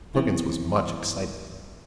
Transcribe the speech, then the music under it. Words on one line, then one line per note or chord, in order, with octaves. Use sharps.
Perkins was much excited.
E3 B3 C4 E4